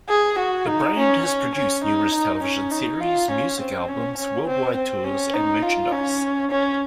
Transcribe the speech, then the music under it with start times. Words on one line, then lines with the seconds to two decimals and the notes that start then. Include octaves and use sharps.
The brand has produced numerous television series, music albums, worldwide tours and merchandise.
0.09 G#4
0.38 F#4
0.67 D#4
0.97 C#4
1.25 C#4
1.55 C#4
1.84 D#4
2.14 D#4
2.43 C#4
2.72 D#4
3.00 F4
3.31 C#4
3.60 C4
3.89 C#4
4.17 C#4
4.47 C4
4.76 C4
5.05 C#4
5.34 D#4
5.63 F4
5.92 C#4
6.51 C#4